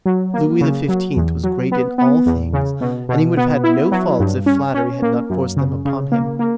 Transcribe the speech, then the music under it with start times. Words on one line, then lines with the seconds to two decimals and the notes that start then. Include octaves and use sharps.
Louis XV. was great in all things, and he would have had no faults if flattery had not forced them upon him.
0.06 F#3
0.34 A#3
0.61 C#3
0.89 F#3
1.16 E2
1.44 F#3
1.72 B3
1.98 B3
2.26 E2
2.53 C#3
2.81 B2
3.09 B2
3.37 B3
3.64 E4
3.92 F#3
4.19 G2
4.46 C#4
4.75 C#4
5.02 A#3
5.30 F#2
5.57 C#3
5.85 C#3
6.12 A#3
6.39 A#3